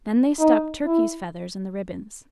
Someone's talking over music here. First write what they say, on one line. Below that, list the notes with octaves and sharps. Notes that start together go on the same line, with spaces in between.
Then they stuck turkeys' feathers in the ribbons.
D#4
E4